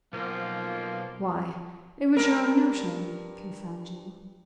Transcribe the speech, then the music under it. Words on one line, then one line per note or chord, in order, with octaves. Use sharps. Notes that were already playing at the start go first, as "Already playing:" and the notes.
"Why, it was your own notion, confound you!"
B1 F3 A#3
G2 A#4